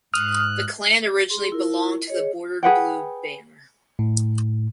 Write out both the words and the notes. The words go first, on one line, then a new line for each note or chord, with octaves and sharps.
The clan originally belonged to the Bordered Blue Banner.
G#2 D#6 F6 F#6
G#4 C6
E4 F4 A#4
G#4 C#5 D#5
G#4 B4 F#5 G5
A2